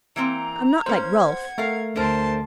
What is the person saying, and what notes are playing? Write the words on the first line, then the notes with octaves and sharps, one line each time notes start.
I'm not like Ralph.
E3 A#3 C4 A#5
A#3 C#4 C5 G#6
F#5
A3 A#4 F5
D2 D3 A#4 C5 A5 C6